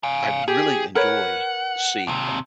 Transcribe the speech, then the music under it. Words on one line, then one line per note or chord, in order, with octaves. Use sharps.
I really enjoy seeing them.
F5 G#5
G4 G#4
A#4 B4 C#5 F#5
D#2 C3